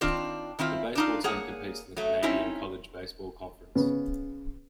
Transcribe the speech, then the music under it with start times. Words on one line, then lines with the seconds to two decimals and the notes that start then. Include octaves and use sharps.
The baseball team competes in the Canadian College Baseball Conference.
0.01 D#3 C4 D4 F4
0.59 D#3 C4 E4 F4
0.95 D4 D#4 F4
1.24 A#3 G#4 C#5 F#5
1.97 F#3 A3
2.23 C4 C#4 D#4 E4
3.75 C#3 B3